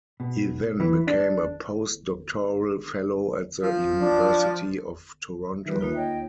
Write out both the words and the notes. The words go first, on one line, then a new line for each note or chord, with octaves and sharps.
He then became a post-doctoral fellow at the University of Toronto.
B2
E3
D4
F3
D4
D#3 F3 G3 B4 E5
D2 A#3 D#4 F4
C#5 D#5 G5